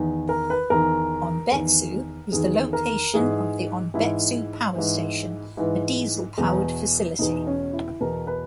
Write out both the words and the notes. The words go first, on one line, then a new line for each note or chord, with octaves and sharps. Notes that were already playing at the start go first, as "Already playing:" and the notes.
Onbetsu is the location of the Onbetsu Power Station, a diesel-powered facility.
Already playing: E2 D#3
A#4
B4
E2 D#3 A#4
E2 D#3
E2 D#3 G#4
A#4
G#2 E3 G#4
G#2 E3 E4
G#2 E3
G#2 E3
E2 B2
E2 B2 D#4
C#4
E4
E2 B2 A#4
B4